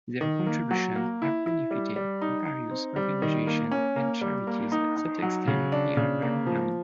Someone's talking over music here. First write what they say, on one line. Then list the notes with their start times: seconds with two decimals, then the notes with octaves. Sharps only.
Their contributions have benefited various organizations and charities that extend beyond Maryland.
0.21 D#3
0.46 A#3
0.71 F#3
0.96 A#3
1.22 E4
1.46 E4
1.71 G3
1.96 G3
2.22 D#4
2.46 D#4
2.71 C4
2.96 G3
3.22 D#3
3.47 A#3
3.71 C#4
3.96 A#3
4.21 G3
4.47 A#3
4.72 D#4
4.97 D#4
5.22 F#3
5.47 C#3
5.72 D4
5.97 C#3
6.22 A#3
6.47 F3